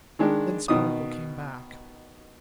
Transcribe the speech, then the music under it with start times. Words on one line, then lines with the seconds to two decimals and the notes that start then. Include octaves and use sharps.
Then Spargo came back.
0.19 D#3 G#3 D4
0.68 B2 D#3 D#6